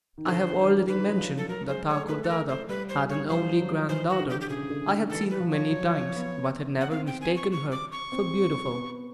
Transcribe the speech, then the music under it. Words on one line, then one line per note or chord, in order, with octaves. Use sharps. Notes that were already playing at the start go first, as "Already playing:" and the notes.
I have already mentioned that Thakur Dada had an only grand-daughter. I had seen her many times, but had never mistaken her for beautiful.
D#3
D3 C5
E3
D#3 B4
F#3
F3
A4
F#3 A#4
G#3 C5
A3 C#5
A3 B4
A4
A#4
C5
G3 B4
C5
G3
C#5
F3 C5
F#3
E3 C5
F#4
D3
G4
G4
C#3 G#4
D3
D#3
E3 A4
B4
F3
C#5
F#3
F3
F3
B3
F#5
C4 F5
G5
G#5
C#6
C#6
D6
C#6
C4
B3